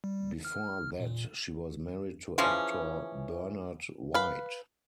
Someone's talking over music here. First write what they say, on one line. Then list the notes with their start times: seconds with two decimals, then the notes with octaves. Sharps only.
Before that, she was married to actor Bernard White.
0.04 G3
0.45 F6
1.00 A#2
2.38 C#3 E3 F3 C#4
4.14 B4 F5